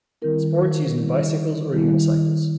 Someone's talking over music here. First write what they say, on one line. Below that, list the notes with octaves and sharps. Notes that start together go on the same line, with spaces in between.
Sports using bicycles or unicycles.
D#3 G3 C4 E4 A#4
D#3 G3 C4 E4
D#3 G3 C4 E4